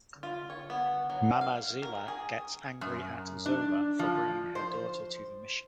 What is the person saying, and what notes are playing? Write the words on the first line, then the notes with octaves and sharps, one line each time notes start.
Mama Zila gets angry at Zola for bringing her daughter to the mission.
F4
C#5
B3
F#3
F5
A#4
G#4
F#2
D4
F3
C5